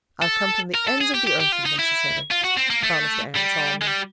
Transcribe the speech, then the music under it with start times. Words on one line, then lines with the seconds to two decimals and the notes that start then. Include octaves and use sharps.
"I'll come from the ends of the earth if necessary," promised Anne solemnly.
0.22 A4
0.75 A#4
0.87 A4
1.01 G#4
1.14 G4
1.27 G4
1.40 G4
1.52 F4
1.66 D#4
1.79 E4
2.31 F4
2.44 F#4
2.57 C4
2.70 A#3
2.83 A3
3.36 G3
3.82 G#3
3.88 G3